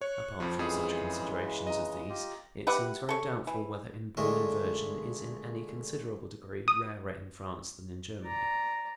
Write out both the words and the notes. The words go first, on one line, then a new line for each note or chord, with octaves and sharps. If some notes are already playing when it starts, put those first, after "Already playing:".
Apart from such considerations as these it seems very doubtful whether inborn inversion is in any considerable degree rarer in France than in Germany.
C#5 C#6 F#6
F2 F3
F2 C#3 E3 G#3 G#4
D#5 A#5
F4 G4
G4 B4 E5 F#5
A4 C#5
E3
A#2 D3 G#3 A3 A#4 D#5
D#6
D5 A#5